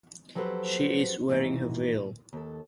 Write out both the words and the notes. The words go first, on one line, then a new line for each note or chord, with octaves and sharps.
She is wearing her veil.
F3 F#3 G4 A4 B4 C5
D#2 G#2 B2 E3 D#4
D#2 A4